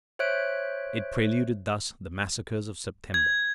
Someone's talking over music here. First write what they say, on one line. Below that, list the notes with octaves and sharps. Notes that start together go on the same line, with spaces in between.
It preluded thus the massacres of September.
C5 C#5 E5 F#6 D7
G#6